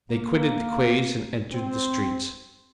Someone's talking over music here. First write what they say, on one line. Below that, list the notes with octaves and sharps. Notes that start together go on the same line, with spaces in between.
They quitted the quays and entered the streets.
A#3
C4